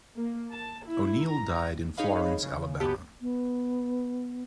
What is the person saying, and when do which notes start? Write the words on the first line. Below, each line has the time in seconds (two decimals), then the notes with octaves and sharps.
O'Neal died in Florence, Alabama.
0.17 A#3
0.52 A5
0.87 E4
1.24 A#5
1.97 D#4 G#4 C#5 D#5 F5 B5
2.43 C#3
2.80 F#2 B3 G4 A5
3.21 B3